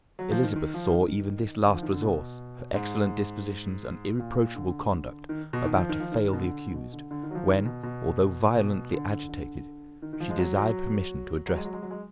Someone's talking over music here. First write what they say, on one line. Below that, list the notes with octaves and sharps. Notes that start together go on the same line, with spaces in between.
Elizabeth saw even this last resource, her excellent dispositions and irreproachable conduct, about to fail the accused, when, although violently agitated, she desired permission to address the court.
F#3
F3
D#3
D#3
F3
D#3
D3
F3
D#3
D3
B2
G#2
A#2
D3
D#3
B2
D#3
F3
D#3
F3
D#3
B2
D3
B2
D3
D3
D#3
F#3
F3
D#3
B2
B2
B2
D3
D3
D3
D#3
D#3
F3
G#3
F#3
F#3
F#3
G#3
F#3
G#3
F#3
G#3